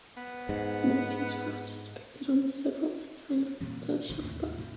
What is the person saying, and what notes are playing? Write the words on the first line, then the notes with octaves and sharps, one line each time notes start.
The Maltese cross is depicted on the civil ensign of Malta, shown above.
B3
G#2
A#2 E3 G3
A1 D3 E3
D#2 A2 C3
A2 C3